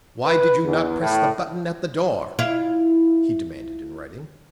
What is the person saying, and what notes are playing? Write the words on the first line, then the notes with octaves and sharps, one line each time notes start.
"Why did you not press the button at the door?" he demanded in writing.
B4
E2
A2
E4 F4